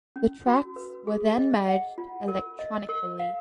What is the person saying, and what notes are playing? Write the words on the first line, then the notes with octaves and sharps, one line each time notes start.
The tracks were then merged electronically.
C#4
F#4
B4
G#4
D#5
F#5
F4
A#4
D#5
A#4
F5